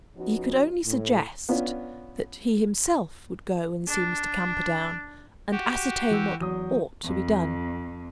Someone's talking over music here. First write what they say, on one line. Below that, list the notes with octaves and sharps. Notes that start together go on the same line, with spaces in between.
He could only suggest that he himself would go and see Mr. Camperdown, and ascertain what ought to be done.
F3 B3 C#4 D#4 F#4
A2
B3 C#4 D4 F4
D4
F#4 G4
E3 E6 G6
E2 F#3 D#6
F2